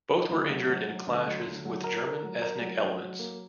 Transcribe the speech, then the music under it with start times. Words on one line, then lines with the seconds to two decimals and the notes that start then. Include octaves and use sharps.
Both were injured in clashes with German ethnic elements.
0.11 D#4
0.30 D2
0.50 F#3
0.69 F#3
0.88 F#3
1.07 D2
1.27 F#3
1.46 D2
1.65 F#3
1.84 A#4
2.04 A#4
2.23 F#3
2.42 A#4
2.61 F#3
2.80 F#3
3.01 F#3
3.19 A#3